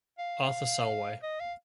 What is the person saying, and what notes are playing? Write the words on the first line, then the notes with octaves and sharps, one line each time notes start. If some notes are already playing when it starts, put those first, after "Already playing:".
Arthur Salwey.
F5
F5
D#5
F5